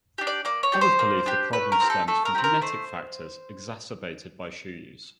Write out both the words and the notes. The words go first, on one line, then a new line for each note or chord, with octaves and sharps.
Others believe the problem stems from genetic factors, exacerbated by shoe use.
D4 G4
D5
A#3 D5
C#5
D4 G4
C5
A#3
D4 G4
A3 B4
A#4
C4 D#4 G4
A4
A3 A4
A#4
C4 D#4 G4
A#4
A3 C5